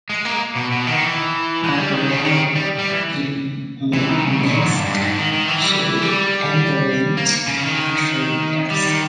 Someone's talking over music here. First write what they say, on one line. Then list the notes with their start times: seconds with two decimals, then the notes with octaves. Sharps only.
On arrival in Murmansk she underwent partial repairs.
0.10 G#3
0.25 A#3
0.56 B2
0.71 B2
0.87 D#3
1.02 E3
1.64 G#3
1.78 G3
1.94 D#3
2.09 C#3
2.25 D#3
2.55 G3
2.79 G3
2.90 E3
3.93 E3
4.09 D#3
4.25 C#3
4.40 B2
4.51 A#2
4.63 G#2
4.75 G2
4.86 G2
5.02 G#2
5.17 D#3
5.33 D#3
5.48 E3
5.63 G3
5.79 E3
6.02 G3
7.17 A#3
7.47 C#3
7.63 D#3
8.70 G3
8.86 D#3